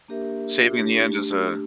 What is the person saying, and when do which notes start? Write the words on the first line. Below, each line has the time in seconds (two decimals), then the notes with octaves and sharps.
saving in the end is a
0.08 A#3 D4 G4 A#4 E5
0.76 A3 D4 G4